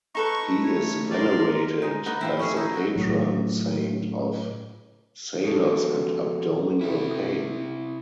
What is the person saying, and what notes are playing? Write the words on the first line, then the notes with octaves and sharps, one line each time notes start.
He is venerated as the patron saint of sailors and abdominal pain.
D#4 A4 B4 C#6
A3 C#5
A#4 D5 C6
G#3 D#4
B3 D#4 F#4
F3 C4 E4
A3 C#4 G#4 C#6
D#4 E4
F#4
A2 F#3
F2 B2 F#4 G#4 A4
C3 E4